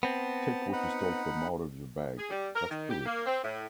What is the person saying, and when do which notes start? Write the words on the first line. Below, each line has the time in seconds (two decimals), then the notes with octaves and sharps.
Take what you stole from out of your bag. Just do it.
0.03 B3 C4 A5
0.73 D#4 F#5 B5
2.18 G#4
2.30 G3
2.56 A#4
2.70 D#3
2.90 G4
3.06 A#3
3.26 C4
3.43 A2